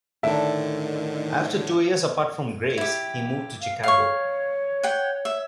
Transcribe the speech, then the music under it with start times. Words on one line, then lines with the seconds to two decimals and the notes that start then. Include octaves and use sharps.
After two years apart from Grace, he moved to Chicago.
0.23 A2 D3 D#3 D4 E5
2.78 E4 G4
3.61 F5
3.83 C#5 F5 C#6
4.83 F#5 G5
5.25 E5